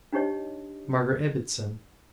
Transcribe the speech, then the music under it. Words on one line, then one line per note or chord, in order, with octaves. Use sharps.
Margaret Ibbotson!
D4 D#4 G4 C#5 D#5